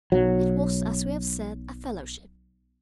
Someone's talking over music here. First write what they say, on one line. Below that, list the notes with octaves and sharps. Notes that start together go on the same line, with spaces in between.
It was, as we have said, a fellowship.
B1 F#3